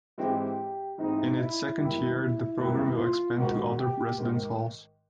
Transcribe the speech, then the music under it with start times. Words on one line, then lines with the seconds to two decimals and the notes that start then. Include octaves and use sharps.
In its second year, the program will expand to other residence halls.
0.18 G#2 E3 G#3 C4 E4 G4
0.98 G#2 E3 G#3 C4 D#4 E4
1.38 E4
1.77 G#1 F#2 D#3 G3 B3 E4
2.58 G#1 F#2 D#3 G3 B3 E4
2.93 E4
2.97 F4
3.37 G#1 G#2 D#3 F#4
3.78 G4
4.17 G#1 G#2 D#3